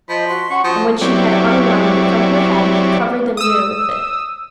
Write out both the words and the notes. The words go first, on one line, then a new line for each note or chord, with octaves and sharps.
And when she had unwound it from her head he covered the mirror with it.
F3 C5 D#5 B5
F#4 C6
C#4 F#5 C#6
F3 F#4 C5 D#6
F#3 C4 E4 G4 C#5 D5
D#6 E6